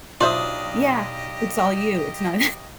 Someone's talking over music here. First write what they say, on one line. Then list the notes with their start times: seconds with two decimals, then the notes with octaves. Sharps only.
Yeah, it's all you, it's not
0.21 B1 D4 F4 G4 C5 D#5 E5 D#6